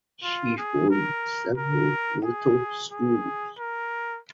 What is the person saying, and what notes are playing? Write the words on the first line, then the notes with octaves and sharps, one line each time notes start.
She formed several little schools.
F4
G#4
A#4
A#4
G#4
G#4
A#4